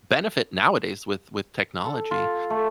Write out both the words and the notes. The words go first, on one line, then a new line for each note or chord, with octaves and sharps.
benefit, nowadays, with with technology,
A4
F4
A3